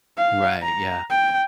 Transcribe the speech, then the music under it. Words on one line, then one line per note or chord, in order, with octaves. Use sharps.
Right, yeah.
F5
A#5
G5